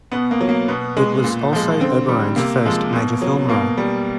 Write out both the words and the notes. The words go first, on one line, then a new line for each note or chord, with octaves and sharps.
It was also Oberon's first major film role.
B2 B3
A#3
F#3
A#3
B2 B3
G#3
A#2
F3 G#3
D3 C4
G3
C3 A#3
F3 G#3
B2
F#3
B2 A#3
G3